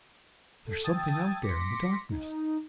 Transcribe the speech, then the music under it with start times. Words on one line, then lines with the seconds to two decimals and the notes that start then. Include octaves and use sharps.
"There is something out there in the darkness."
0.66 A4
0.83 G5 A5 D#6 E6 G#6 A6
1.42 C6 D6 A#6 B6 C#7
2.10 D#4